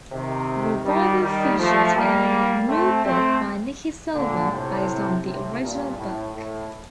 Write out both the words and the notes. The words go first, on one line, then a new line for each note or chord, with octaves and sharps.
The revival featured a new book by Nicky Silver based on the original book.
C3 D#3
D#3 G3
D#3 G3
F3 A3
G3 A#3
A3 C4
A3 C4
A#2 D3
A2 C3
A2 C3
G2 A#2
A2
A2